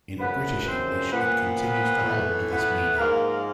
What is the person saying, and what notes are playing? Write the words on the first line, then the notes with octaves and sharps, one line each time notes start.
In British English it continues to hold this meaning.
F#2 C#3 F3 B3 B4
C4 C5
A#2 F3 B3 B4
A2 E3
B3 B4
G#2 F3 A#3 A#4